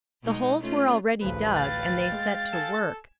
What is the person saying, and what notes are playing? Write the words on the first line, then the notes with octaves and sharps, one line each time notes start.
The holes were already dug, and they set to work.
B2 G#3 D#4
A3 C#4 F4
A1 D2 G2 C#3 F3 B4
F5 G5 A6
G#3
A4 G#5 G#6 E7